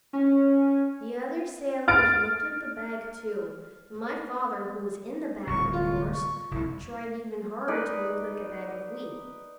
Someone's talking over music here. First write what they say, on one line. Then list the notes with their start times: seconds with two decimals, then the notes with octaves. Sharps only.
The other sailors looked at the bag too, and my father, who was in the bag, of course, tried even harder to look like a bag of wheat.
0.13 C#4
1.88 F6 A6 D7
5.47 D1 C2 C#6
5.71 F4
6.12 C#6
6.51 F1 C2 E4
7.68 D#4 B4 D5